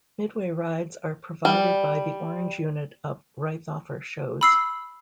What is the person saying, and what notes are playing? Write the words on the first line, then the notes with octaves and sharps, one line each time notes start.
Midway Rides are provided by the Orange unit of Reithoffer Shows.
G3
B5 E6 C7